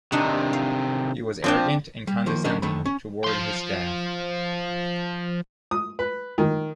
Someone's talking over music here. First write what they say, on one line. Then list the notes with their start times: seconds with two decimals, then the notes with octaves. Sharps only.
He was arrogant and condescending toward his staff.
0.12 C3 D#3 D4 D#4 F#5
0.53 F5
1.44 F3 C4 D4 G5
2.07 G3
2.26 D#3 F3 A#3
2.44 D3 F#3 C#4 D4 A#4 D#5
2.62 D3 D#3 A3 B5
2.85 C#4
3.24 F3 C6
5.71 D#6
5.99 B4
6.38 D#3